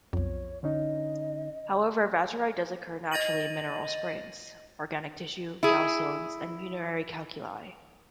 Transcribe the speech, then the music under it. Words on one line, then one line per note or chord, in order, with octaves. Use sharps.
However, vaterite does occur naturally in mineral springs, organic tissue, gallstones, and urinary calculi.
B1 F2 C#5
D3 C#4 D#4 D#5
D#5 A6 A#6 D#7 F#7
E4 G#4